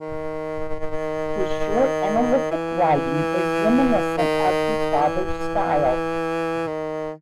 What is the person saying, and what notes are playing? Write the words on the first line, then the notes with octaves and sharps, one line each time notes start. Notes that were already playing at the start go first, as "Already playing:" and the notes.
His short, analytic writing is reminiscent of his father's style.
D#3
E3
D#3
E3
D#3